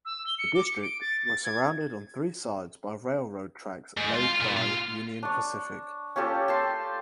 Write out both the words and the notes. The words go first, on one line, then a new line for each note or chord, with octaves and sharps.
The district was surrounded on three sides by railroad tracks laid by Union Pacific.
E6
G7
C#7
D6
C#7
D7
A6
A6
G#6
G#2
F4
A#2
F4
D4 C#6
C#4 F4 G4 A4
G5 A5 C6